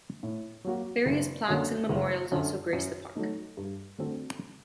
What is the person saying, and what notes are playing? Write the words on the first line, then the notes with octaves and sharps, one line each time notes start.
Various plaques and memorials also grace the park.
A2
F#3 A#3 F#4
F#1
F#2 D3 F#3 A#3
F#1
F#2 D3
F#2
F#3 A3 D#4
G2
D3 A3 C4 F#4